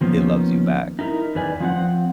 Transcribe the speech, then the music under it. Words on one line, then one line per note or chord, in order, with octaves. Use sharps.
it loves you back
D#3 F3 A#3 B3 C#4
D#4 E4 A#4
E2 D#3 B4 D5 G#5
F3 C4 F#5